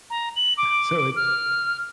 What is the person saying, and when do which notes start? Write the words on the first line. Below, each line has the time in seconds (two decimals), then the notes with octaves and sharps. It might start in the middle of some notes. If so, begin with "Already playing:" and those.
So it's,
0.10 A#5
0.36 F#7
0.58 D6
1.16 F6